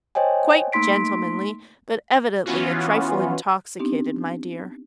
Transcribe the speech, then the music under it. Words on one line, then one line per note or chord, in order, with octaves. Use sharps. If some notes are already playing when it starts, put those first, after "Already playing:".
Quite gentlemanly, but evidently a trifle intoxicated, my dear.'
C5 C#5 D#5 G5 G#5
A3 A#3 D#4 C6 B6 D7
E3 B3 C#4 F4 F#4
B3 C4 D4 D#4 G4